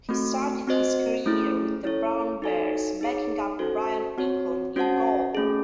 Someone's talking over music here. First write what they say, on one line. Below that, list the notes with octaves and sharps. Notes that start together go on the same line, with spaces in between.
He started his career with the Brown Bears backing up Brian Eklund in goal.
A3 C4 F#4
C4 F#4 C5 D#5
A3 C#4 E4 G#4
C#4 E4 A4 C#5
D#4 F#4 A4 C#5 G#5
D#4 G#4 C#5
C#4 F#4 A4 C5
C4 F#4 C#5
C#4 F#4 C5 F#5 A5
A3 C#4 G#4